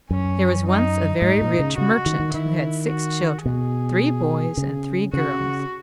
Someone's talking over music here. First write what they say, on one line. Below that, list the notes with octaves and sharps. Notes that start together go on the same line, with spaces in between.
There was once a very rich merchant, who had six children, three boys and three girls.
F#2 C#4
D#4
G#2 D#4
A#2
C#3
C#3 F#4
D#3
D#3
D#3 E4
F#4
B2 G#4
C#3
C#3 F#4